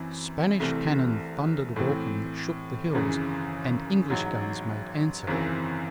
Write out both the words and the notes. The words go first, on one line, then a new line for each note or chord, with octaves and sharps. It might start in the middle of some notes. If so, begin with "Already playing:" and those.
Spanish cannon thundered a welcome that shook the hills, and English guns made answer.
Already playing: F#2 E3 C4 E4
C2 C3 E3 A3 C4
A2 E3 C4
G#1 F#2 C#3 E3
A1 G#2 F#3
G#1 F#2 C#3 E3 C4